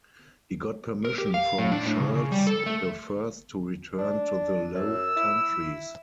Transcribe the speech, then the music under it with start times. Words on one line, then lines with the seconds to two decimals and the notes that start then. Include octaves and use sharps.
He got permission from Charles the First to return to the Low Countries.
1.05 A#4
1.18 G4
1.34 F5
1.58 A2
1.72 D4
1.86 A2
2.00 C#3
2.15 C#3
2.32 G3
2.47 A4
2.66 A3
3.98 D4
4.74 F#2 E6
5.16 E4